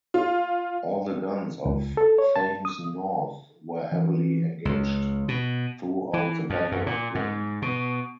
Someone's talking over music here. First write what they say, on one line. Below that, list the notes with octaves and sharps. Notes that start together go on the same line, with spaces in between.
All the guns of Thames North were heavily engaged throughout the Battle of Britain.
F4
C#2
A4
C#5
A5
D#6
E3
C#2
B2
E3
F2
F#2
A#2
G#2
B2